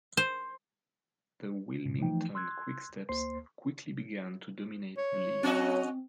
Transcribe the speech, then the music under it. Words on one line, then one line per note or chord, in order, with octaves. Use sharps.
The Wilmington Quicksteps quickly began to dominate the league.
C5
G#2 B2
E3 F3 A3 D#4 G5
C6 E6 F#6 G#6
D2 A#3 C5 C6 C7
C#5
F#3 C4 C#4 F#4 D#5